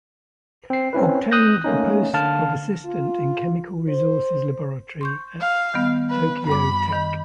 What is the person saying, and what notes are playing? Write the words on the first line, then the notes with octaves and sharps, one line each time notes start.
Obtained the post of assistant in Chemical Resources Laboratory at Tokyo Tech.
C4 C7
C4 C#4 E4 B4
D#6 F#6 G6 A#6
A3 A#3 C#4 D#4
D3 F5 A5 F6
F4
C5
C6 C#6 G6
F5
D#3 G3 B3
B4
F#2 G3 B5 D6
D#3